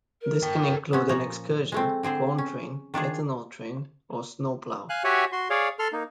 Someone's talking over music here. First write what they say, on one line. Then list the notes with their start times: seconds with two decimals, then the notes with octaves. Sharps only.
This can include an excursion, corn train, ethanol train, or snow plow.
0.22 A#4
0.43 A4 G5
0.93 B3 C#4
1.09 A#2 F3 C#5 A#5
1.72 G#3 A3 C4
2.03 D3 C4 G#4 C5
2.38 C#4
2.94 D#3 D4 F4 G#4
4.89 F5 G#5 F#6
5.04 F#4 G4 C#5 E5 F#5 G#5
5.32 F#4 C6
5.50 G#4 C#5 D5 F5
5.79 A4 C6 F6
5.93 A#3 D#4